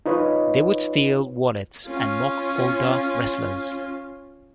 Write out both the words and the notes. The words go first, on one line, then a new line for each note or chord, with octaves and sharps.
They would steal wallets and mock older wrestlers.
D#4 F4 B4 C#5 D#5
C#4 F4